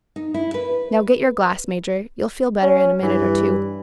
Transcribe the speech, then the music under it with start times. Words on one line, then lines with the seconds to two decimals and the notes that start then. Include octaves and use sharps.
"Now get your glass, Major. You'll feel better in a minute or two."
0.16 D#4
0.34 E4
0.54 B4
2.62 C#4
3.02 G2 E3